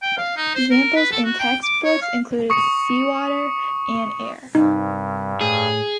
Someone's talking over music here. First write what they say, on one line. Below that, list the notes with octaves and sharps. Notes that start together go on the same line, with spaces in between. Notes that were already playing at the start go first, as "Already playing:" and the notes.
Examples in textbooks included seawater and air.
G5
F5
D#4
C5
A#4
B4
A4
F#4
G5
D6
C#5
F5
C#6 D#6 C#7
C2 G2 D#4
A2 G#4